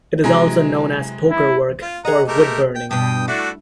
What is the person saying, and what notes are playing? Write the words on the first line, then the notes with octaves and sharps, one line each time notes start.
It is also known as pokerwork or wood burning.
C3 E3 F#3 G#3 G#5 A#5
E4
F4
G#4 D#5 F#5 A#5
A3 G4 A#4
G5
G2 B2 G5 D#6
A3 D4 E4 F#4